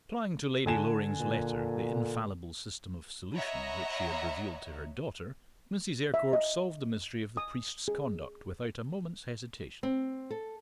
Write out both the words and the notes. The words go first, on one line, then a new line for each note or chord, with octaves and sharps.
Applying to Lady Loring's letter the infallible system of solution which she had revealed to her daughter, Mrs. Eyrecourt solved the mystery of the priest's conduct without a moment's hesitation.
D3 G#5 E7
A#2
C#5 D#5 E5 F#5 A#5 B5
E5
D#5
D#6
G#4
C4
A4